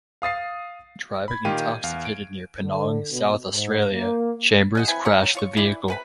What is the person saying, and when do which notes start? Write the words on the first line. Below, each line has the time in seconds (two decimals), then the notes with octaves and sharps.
Driving intoxicated near Penong, South Australia, Chambers crashed the vehicle.
0.22 F5 D#6 A6 C7
1.28 B5 G#6
1.45 A#2 D#3 G4 F5 D#7
1.84 E2 F5
2.05 D7
2.62 D3
3.12 B2
3.51 G#2
3.91 A#3
4.75 G#3 D#5 F#5
4.88 C4 E4 B4 G#5
5.05 C#4 A#4 C#5 F#5
5.35 F4 C#5 C#6
5.57 E3 E4 D5
5.88 C3 B4 B5